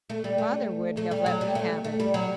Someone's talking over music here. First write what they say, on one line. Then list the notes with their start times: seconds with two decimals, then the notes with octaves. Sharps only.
Father would have let me have it.
0.10 A3
0.24 G3
0.38 A3
0.97 A3
1.11 G3
1.26 F#3
1.41 G3
1.55 A3
1.84 A3
2.00 G3
2.14 F#3